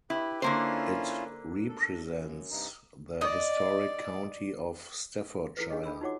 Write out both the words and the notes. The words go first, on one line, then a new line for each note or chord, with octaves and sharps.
It represents the historic county of Staffordshire.
E4 G4 B4
D3 A#3 C#4 E4 F4 C5
A4
F#2
G2 C3 D#4
D5 D#5
E4 A4 B4
D4 G#4 D#5
D4 B5 E6
D#4 F4 F#4 C#5 F#5 D6